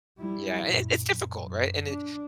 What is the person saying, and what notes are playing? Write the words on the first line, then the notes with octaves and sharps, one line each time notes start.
Yeah, and it it's difficult, right? And it
G3 E4
F#2 A#2
F#2
F#2
D4